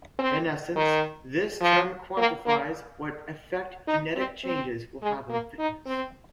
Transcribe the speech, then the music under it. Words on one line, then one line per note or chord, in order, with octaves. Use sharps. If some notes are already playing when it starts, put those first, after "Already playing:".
In essence, this term quantifies what effect genetic changes will have on fitness.
C4
D#3
F3
A#3
A#3
D#4
C4
C4
G#3
A#3
D#4
C4